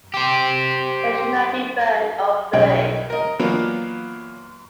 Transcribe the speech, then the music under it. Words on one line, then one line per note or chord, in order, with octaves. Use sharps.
They should not be burned or buried.
G4 C5
B1 C#3 G3 C#5 D#5 G5
A#4 D#5
E3 F#3 A#3 B3 D4 F4